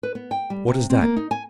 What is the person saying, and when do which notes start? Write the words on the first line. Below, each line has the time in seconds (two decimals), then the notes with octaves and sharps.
"What is that?"
0.03 B4
0.15 B3
0.31 G5
0.50 G3
0.68 C3
0.90 C4
1.02 A#3
1.16 D#4
1.31 G#5